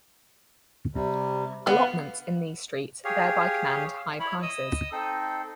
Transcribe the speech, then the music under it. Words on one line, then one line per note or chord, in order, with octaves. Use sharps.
Allotments in these streets thereby command high prices.
C3 G3
B3 F5
G4 G#4 C#5 F5
E4 C#5 B5
D#5 D#6 E6
C4 D#4 A4